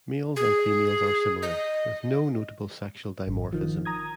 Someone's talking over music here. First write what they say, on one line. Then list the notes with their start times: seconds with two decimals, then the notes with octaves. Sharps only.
Males and females are similar, with no notable sexual dimorphism.
0.36 G#4
1.43 D#5
3.28 G#1
3.53 D#3 F3
3.85 A#5 D#6 G#6